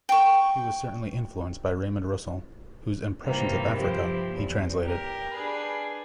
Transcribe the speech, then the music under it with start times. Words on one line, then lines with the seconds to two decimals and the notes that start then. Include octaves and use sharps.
He was certainly influenced by Raymond Roussel, whose "Impressions of Africa" he translated.
0.09 G5 C#6
3.24 G2 C3 D#3 E3 A#3 C4
3.73 F3 C4 E4 G4
4.30 E2
4.83 G4 A#4
5.34 D4 G#4 B4